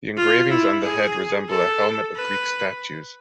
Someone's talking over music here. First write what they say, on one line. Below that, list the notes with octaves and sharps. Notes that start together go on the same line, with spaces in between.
The engravings on the head resemble a helmet of Greek statues.
F4
E4
G#4
A4
B4